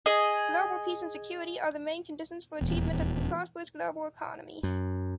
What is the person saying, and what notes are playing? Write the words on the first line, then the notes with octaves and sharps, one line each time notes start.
Global peace and security are the main conditions for achievement of the prosperous global economy.
G#4 D#5
D#1 E2
F#2